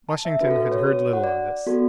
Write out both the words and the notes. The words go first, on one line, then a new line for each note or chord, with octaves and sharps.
Washington had heard little of this.
A5
E5
D4 F#4 A4 B4
A4
B4
C#5
C#5
F#5
D5
B3 F#4 A4